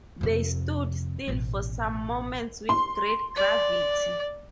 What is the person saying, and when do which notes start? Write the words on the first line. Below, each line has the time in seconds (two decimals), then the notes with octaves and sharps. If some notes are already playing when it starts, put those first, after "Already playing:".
They stood still for some moments with great gravity.
0.21 F2 C3
1.28 A1 B2
2.69 C6
3.37 D5